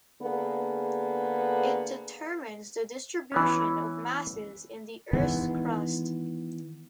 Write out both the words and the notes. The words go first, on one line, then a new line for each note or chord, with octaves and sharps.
It determines the distribution of masses in the Earth's crust.
D3 A#3 B3 G#4
E3 B3 C#4
D#3 E3 G#3 B3